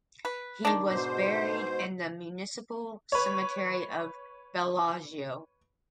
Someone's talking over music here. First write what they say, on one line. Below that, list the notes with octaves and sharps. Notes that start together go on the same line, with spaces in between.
He was buried in the Municipal Cemetery of Bellagio.
B4
D#3 D4
G#2 B2 C5
B4 C#5